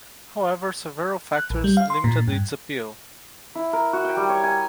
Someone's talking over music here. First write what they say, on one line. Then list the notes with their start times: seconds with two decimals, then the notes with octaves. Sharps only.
However, several factors limited its appeal.
1.36 F#6
1.50 A#1
1.64 G3
1.77 F5
1.90 C6
2.04 A#2
2.28 G2
3.55 E4
3.73 A#4
3.93 F#4
4.05 G5
4.17 G3
4.29 C#5
4.43 G#5